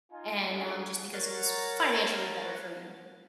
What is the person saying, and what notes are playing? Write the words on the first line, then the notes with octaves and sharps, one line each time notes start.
and, um, just because it was financially better for me,
D#4 F4 G#5
C#4 D4 F4 F#4 G#4 A4
A#4 C#5 F#5 A#5 A6